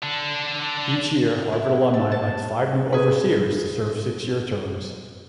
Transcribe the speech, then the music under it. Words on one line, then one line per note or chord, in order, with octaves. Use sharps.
Each year, Harvard alumni elect five new overseers to serve six-year terms.
D3 D4
E4
A4
A5
G#4 B4